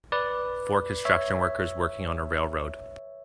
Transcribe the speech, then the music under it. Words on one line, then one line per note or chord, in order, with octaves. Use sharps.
Four construction workers working on a railroad.
B4 D5
C#5 E5